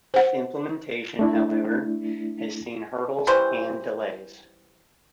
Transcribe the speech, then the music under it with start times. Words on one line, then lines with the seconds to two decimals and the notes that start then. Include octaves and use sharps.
Its implementation, however, has seen hurdles and delays.
0.14 C5 F#5
1.19 A3 D4 E4
3.27 E3 G3 C#4 C5